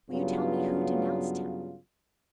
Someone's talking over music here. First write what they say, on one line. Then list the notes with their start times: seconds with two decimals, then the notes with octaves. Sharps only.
"Will you tell me who denounced him?"
0.10 G2 C#3 F#3 B3 F4